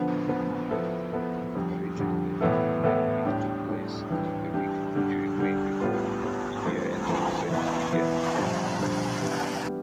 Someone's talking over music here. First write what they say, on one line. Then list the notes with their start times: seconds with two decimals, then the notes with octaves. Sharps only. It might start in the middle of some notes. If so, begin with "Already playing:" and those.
Originally May Week took place in the week during May before year-end exams began.
Already playing: D3 F3 B3
0.28 D3 F3 B3
0.71 F3 B3 E4 A4
1.13 F3 B3 E4 A4
1.55 F2 D3 G3
1.98 F2 D3 G3
2.41 A2 E3 B3 E4 A4
2.83 A2 E3 B3 E4 A4
3.26 A2 G3 D4 G4
3.69 A2 G3 D4 G4
4.10 E3 G3 D4 G4
4.53 E3 G3 D4 G4
4.95 D3 G3 D4
5.38 D3 G3 D4
5.80 A2 G3 B3 F4
6.23 A2 G3 B3 F4
6.65 G2 E3 A3 C4 F4
7.09 G2 E3 A3 C4 F4
7.51 E3 B3 E4
7.93 E3 B3 E4
8.36 G2 D3 F3
8.79 G2 D3 F3
9.21 E3 G3 B3 D4
9.64 G3 B3 D4